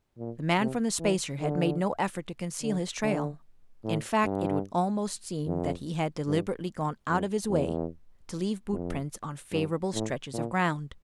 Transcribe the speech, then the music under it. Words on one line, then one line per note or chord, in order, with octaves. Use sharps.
The man from the spacer had made no effort to conceal his trail, in fact it would almost seem that he had deliberately gone out of his way to leave boot prints on favorable stretches of ground.
A#2
C3
E3
D3
D3
D3
A2
G2
F2
G2
F2
E2
F2
G2
A2
A#2